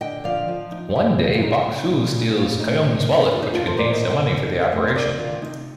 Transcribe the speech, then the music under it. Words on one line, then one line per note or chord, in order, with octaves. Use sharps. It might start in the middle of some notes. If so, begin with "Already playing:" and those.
One day Bok-su steals Kyung's wallet which contains the money for the operation.
D3 D#5 G5
F3 D5 F5
F3
D#4
D#2 D#4 G4
D#2 F4
F4
C3 D#4
C3
A#2
A#2
A2 F4
A2 D#4
D3 D#4
D3
D#2 F4
D#4 G4
D#2 F4 A4
A4 C5
A#3 A#4 D5
C5 D#5
G3
D#5 G5
D#4
F2
A3 C5 D#5
D3 A#4 D5
D#3 F4
C3 D#4